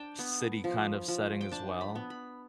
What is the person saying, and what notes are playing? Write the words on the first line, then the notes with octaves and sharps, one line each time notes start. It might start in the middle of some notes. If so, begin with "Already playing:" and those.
city kind of setting as well,
Already playing: D4 G5 A5
B3
F3
F3
G5
D4 A5
B5
B3
B5